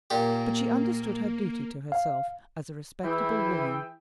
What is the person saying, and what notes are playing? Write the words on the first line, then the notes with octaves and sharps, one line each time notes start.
But she understood her duty to herself as a respectable woman.
A#2 A#3 G4
F5
E3 E4 G#4 E5 G5